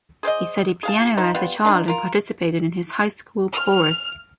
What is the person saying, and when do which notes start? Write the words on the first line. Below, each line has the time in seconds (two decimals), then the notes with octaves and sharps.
He studied piano as a child and participated in his high school chorus.
0.23 G#4 C5 D5 D#5
0.83 G#4 F5 A5
1.18 D#4 C5
1.34 G3 B3 F4
1.65 F3 F#3 D4 D#4
1.88 F4 A#4
3.53 F6